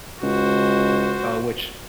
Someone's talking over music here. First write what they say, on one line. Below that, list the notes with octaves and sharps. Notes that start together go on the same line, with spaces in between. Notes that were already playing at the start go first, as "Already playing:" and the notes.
uh, which
C#2 F#4 C5